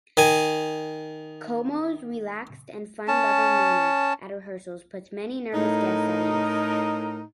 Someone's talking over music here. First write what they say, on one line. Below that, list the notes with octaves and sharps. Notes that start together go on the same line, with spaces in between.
Como's relaxed and fun-loving manner at rehearsals put many nervous guests at ease.
D#3 G#5
C#4 A5
A2 D#4 A#4